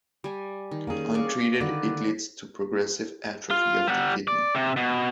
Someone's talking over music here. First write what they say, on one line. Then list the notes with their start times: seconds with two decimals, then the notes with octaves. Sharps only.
Untreated, it leads to progressive atrophy of the kidney.
0.24 G3 G#5
0.71 D#3
0.87 A#3 C#4 G#4
1.15 D5 F5 C#6
1.60 D3 D#3 B4 D5
3.51 F4
3.87 G3 F#5
4.28 D5
4.55 C3
4.76 B2